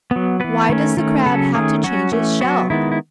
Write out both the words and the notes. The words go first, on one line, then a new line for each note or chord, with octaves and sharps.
Why does the Crab have to change its shell?
F#3 B3
E3 B3 B4
D#3 A3 C#4
D#3 A3 C#4
C#3 F#3 C#4 A4
D#3 A3 C#4 G#4
F#3 C#4 F#4
E3 A3 C#4
F#3 B3 F#4
D#3 G#3 B3 E4
E4